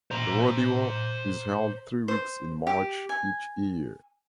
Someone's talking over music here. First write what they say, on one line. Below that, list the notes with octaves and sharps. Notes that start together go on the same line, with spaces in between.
The rodeo is held three weeks in March, each year.
C5 A#5
C5
G4
G#5